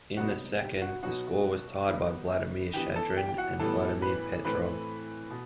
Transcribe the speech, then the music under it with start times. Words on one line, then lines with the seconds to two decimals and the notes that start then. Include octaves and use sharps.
In the second the score was tied by Vladimir Shadrin and Vladimir Petrov.
0.17 C3 F#3 B3 D#4 F#4 F#5
0.60 G4 G5
0.82 F#4 F#5
1.03 B2 F#3 B3 D#4 F#4 F#5
1.89 D#3 G3 B3 D#4
2.74 E3 B3 D#4 G4 G5
2.96 A4 A5
3.17 G4 G5
3.29 G5
3.38 F#4 F#5
3.59 A2 E3 G3 B3 A4 A5
4.02 B4 B5
4.45 A2 E3 A3 C4 B4 B5
5.31 B2